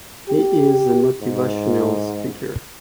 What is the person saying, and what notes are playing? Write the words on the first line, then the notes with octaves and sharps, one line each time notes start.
He is a motivational speaker.
G4
G#2